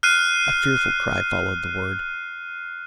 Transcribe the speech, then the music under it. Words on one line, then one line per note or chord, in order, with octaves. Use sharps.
A fearful cry followed the word.
F6 F#6 C7 D#7